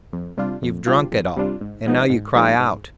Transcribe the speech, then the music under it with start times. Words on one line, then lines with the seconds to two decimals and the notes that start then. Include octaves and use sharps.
You've drunk it all and now you cry out.
0.13 F2
0.37 C3 G3 D4 F4
0.62 F2
0.86 C3 G3 D4 F4
1.12 F2
1.36 C3 G3 D4 F4
1.61 G#2
1.86 F3 G#3 B3 D#4
2.10 G#2
2.35 F3 G#3 B3 D#4
2.59 G#2